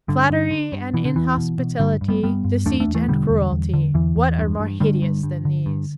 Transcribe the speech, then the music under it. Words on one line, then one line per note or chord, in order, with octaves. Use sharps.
Flattery and inhospitality, deceit and cruelty,--what are more hideous than these?
G2 D3
G2
D3
G2
B2 E3
D3
E2 E3
B2
B2
G2 D3 G3
G2
G3 B3
G2 G3 B3
G2
E2 A3 D4
A3 D4
E2
E3 A3
B2 D3 G3
E2
E2
D3
E2 E3
E2
G2
G2
G2 D3 G3
G2
G2
D3
G2